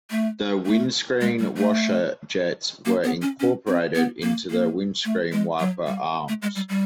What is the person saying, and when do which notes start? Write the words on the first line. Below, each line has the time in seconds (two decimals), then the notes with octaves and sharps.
The windscreen washer jets were incorporated into the windscreen wiper arms.
0.10 A3
0.66 A3
1.21 G#3
1.39 G3
1.57 A3
2.85 A#3
3.04 B3
3.22 C#4
3.40 C#4
3.67 C4
3.95 B3
4.22 A#3
4.50 A#3
5.05 A3
5.32 G#3
5.59 F#3
5.87 G3
6.28 A3
6.42 G#3
6.55 G3
6.69 G3